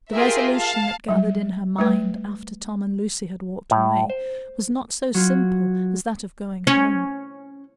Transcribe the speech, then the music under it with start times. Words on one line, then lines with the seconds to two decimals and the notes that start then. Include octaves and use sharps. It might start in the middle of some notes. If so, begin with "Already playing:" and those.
The resolution that gathered in her mind, after Tom and Lucy had walked away, was not so simple as that of going home.
0.12 F4 G4 G#4 A#4 E5
0.56 F5 A5
1.09 F#3 G3
1.78 G3 A3 B4
3.71 A2
4.10 C5
5.14 F#3 F4
6.67 C#4